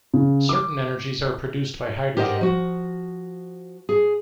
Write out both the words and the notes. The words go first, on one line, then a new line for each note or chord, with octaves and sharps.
Certain energies are produced by hydrogen.
C#3
D6
G4 A#4 C5 D5 D#5 F#5
F3 F#4
G#4